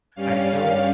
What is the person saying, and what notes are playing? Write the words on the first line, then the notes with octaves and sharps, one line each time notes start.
I still
G2 G3 C#4 F5